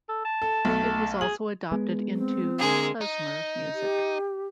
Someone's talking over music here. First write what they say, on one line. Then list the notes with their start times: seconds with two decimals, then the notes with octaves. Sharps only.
It was also adopted into Klezmer music.
0.09 A4
0.25 A5
0.42 A4
0.65 B1 A3
1.21 G#4 F#7
1.72 G#3 B3
2.15 C4
2.59 D3 G#3 A#3 G#4
3.01 D#4
3.74 G4